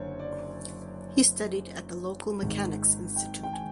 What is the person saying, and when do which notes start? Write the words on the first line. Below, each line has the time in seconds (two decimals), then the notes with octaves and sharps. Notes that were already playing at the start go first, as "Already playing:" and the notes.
He studied at the local Mechanics Institute.
Already playing: F#1 F#2 D3 C5 C#5
0.19 D5
2.42 G#1 G#2 D#3
3.16 G5
3.43 G5
3.53 G#5